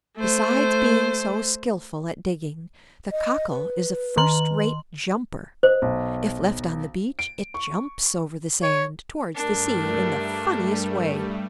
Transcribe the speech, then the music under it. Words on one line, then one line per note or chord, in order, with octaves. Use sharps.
Besides being so skilful at digging, the Cockle is a first-rate jumper. If left on the beach, it jumps over the sand, towards the sea, in the funniest way.
A3 C5
D#5
B4
D#3 C6 F#7
C5 D#5
B1
D7
C#6
C#5
G2 G3 A3 D4 A#4